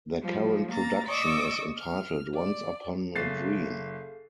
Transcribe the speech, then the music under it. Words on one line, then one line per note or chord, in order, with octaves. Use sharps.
Their current production is entitled 'Once Upon A Dream.
F3 G3
A#3 A#5 A6
D5 D#5 C#6 D6 E6
F6
D5
F#1 G#4 A4 F5 A6 C7